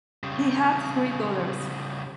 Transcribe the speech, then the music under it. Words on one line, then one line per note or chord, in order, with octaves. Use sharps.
He had three daughters.
C#3 G3